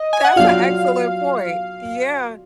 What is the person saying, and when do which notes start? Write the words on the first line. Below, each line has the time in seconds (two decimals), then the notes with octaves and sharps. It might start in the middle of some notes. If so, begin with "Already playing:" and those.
That's an excellent point. Yeah.
Already playing: D#5
0.13 G#5
0.24 F#5
0.36 F#3 D4 F4 F5